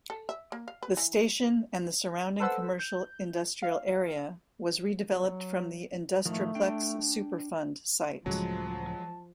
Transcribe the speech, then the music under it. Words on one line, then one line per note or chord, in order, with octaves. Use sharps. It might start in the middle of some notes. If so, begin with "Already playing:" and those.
The station and the surrounding commercial-industrial area was redeveloped from the Industri-Plex Superfund site.
A4
E5
A#3
F5
B4
E3
A4 B4 C5 F#5 E6
G6
F5
F#3
A2 D#3 F3 A3
D4 G5
C#2 A2 C#3 F3 F#3 G#3 A5